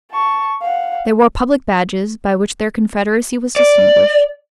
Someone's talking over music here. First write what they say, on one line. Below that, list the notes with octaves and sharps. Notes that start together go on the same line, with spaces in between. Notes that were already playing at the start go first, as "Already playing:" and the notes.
They wore public badges, by which their confederacy was distinguished.
A5 C#6
F5 F#5
D5